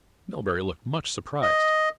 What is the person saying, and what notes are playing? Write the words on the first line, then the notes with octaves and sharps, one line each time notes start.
Melbury looked much surprised.
D#5